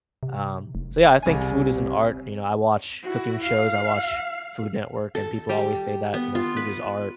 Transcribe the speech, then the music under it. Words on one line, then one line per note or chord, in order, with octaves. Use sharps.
Um, so yeah, I think food is an art, you know, I watch cooking shows, I watch Food Network, and people always say that, you know, "Food is art."
C3
F1
C2 G#5
E4 F#4
F5
A4
G3
B3
F4
B4